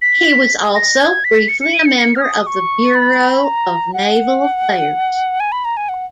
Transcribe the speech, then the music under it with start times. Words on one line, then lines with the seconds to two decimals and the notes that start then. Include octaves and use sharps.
He was also briefly a member of the Bureau of Naval Affairs.
0.02 B6
0.75 A#6
1.00 G#6
1.24 B6
1.48 C#7
1.61 C#7
1.74 D#7
1.85 C#7
1.98 C#7
2.15 F6
2.22 D#6
2.47 C#6
2.95 B5
3.44 A#5
3.94 F#5
5.40 G#5
5.52 B5
5.65 A#5
5.77 G#5
5.89 F#5